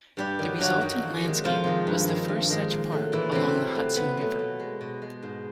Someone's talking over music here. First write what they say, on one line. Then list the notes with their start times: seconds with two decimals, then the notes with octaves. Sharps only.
The resultant landscape was the first such park along the Hudson River.
0.17 G2 G3 G4
0.39 D#3 F#3
0.58 G2 F#3 F#4
0.81 D#3 F#3
1.03 F2
1.24 C3 D#3 G#3
1.44 F2 F3 F4
1.64 C3 D#3 G#3
1.87 G2
2.08 D#3 G#3
2.28 G2
2.50 D#3 G#3
2.71 A#2
2.92 F#3 A3
3.12 A#2 E3 E4
3.32 C3 F#3 A3 C4
3.55 A#2
3.75 F#3 A3
3.96 A#2 B3
4.17 F#3 A3
4.39 B2
4.60 G#3
4.81 B2
5.02 G#3
5.23 G#2